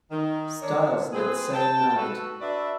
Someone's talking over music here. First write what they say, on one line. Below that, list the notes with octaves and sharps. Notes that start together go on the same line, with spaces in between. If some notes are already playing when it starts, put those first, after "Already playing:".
Styles that same night.
D#3
D4 A#4 C#5
C4 G#4 B4
G5 A5
F#4 A4 B4
D4 F#4 B4 D5 E5